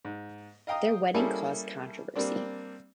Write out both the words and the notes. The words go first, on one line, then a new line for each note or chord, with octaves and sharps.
Their wedding caused controversy.
G#2
D#5 F5 G5 A#5 D#6
G3 A#3 C#4 E4 G#4 A4
G3 A#3 C4 D4